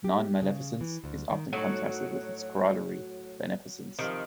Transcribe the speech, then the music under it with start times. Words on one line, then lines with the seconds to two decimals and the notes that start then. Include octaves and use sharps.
Non-maleficence is often contrasted with its corollary, beneficence.
0.04 G4
0.42 C#3
0.81 E3
1.04 D2
1.30 D#3
1.53 A2 F#3 D#4 F#4
3.99 C3 D#3 F3